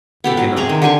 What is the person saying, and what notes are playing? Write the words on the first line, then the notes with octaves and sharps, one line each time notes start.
He cannot.
B3 G4 A4
F#3
C3 G#4 A#5
D#3
D3 G4 G#5 C#6